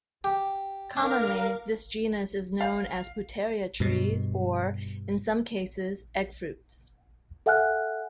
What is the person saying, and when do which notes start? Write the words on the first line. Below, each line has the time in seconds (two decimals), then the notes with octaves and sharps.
Commonly, this genus is known as pouteria trees or, in some cases, eggfruits.
0.24 G4
0.97 D4 A#4 F5 F6
2.60 F5
3.80 G2 B2
7.46 A4 E5 F#5 G#5 F6 F#6